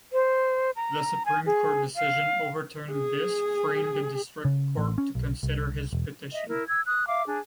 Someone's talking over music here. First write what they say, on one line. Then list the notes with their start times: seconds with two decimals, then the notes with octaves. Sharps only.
The Supreme Court decision overturned this, freeing the District Court to consider his petition.
0.13 C5
0.76 A#5
1.26 G#5
1.46 G#4
1.96 F5
2.92 G#4
4.45 C#3
4.78 A1
4.98 C#4
5.15 B1
5.43 C2
5.93 E1
6.32 D#5 E5
6.49 E4 A#4
6.68 E6 G#6
6.87 D#6 F#6
7.08 E5 F5 D6
7.26 D4 G#4